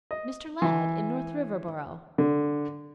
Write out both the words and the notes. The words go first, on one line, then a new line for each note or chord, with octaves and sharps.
"Mr. Ladd, in North Riverboro."
D#5
E3
D3